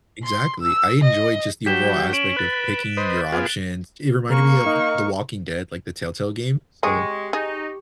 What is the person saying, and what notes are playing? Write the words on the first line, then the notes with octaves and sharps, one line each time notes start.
Exactly. I enjoyed just the overall aspect of picking your options. It reminded me of The Walking Dead, like, the Telltale game. So
C6
E6
D#5
F#3 G4 B6 E7 G7
C#4 D7 E7 F#7
B4 F#6 A6
B4 C5 D#5
B3 F4 G#4
C#3 A#3 A#4 C#6
D#4 F5
G#3 G4 G#4 C#6
D#4 G#4